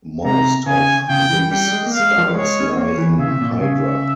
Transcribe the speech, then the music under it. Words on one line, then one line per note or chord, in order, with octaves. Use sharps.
Most of these stars lie in Hydra.
C3 A#5
C#3 G#5
C#3 G5
E3
G3 G5
G#3
A#3
F5
G#3
F3
G3
G#3 C#5
C#4
C4
A#3 C#5
E3
C#3 E5
C3
A#2
A#2
C#3 E5